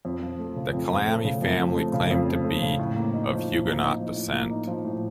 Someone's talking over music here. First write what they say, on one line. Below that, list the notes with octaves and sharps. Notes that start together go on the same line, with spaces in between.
The Calamy family claimed to be of Huguenot descent.
F2
F3
A3
C#3
F2
F3
A3
C#3
F2
F3
A3
C#3
F2
F3
A3
C#3
A2
A#3
D#4
F3
A2
A#3
D#4
F3
A2
A#3
D#4
F3
A2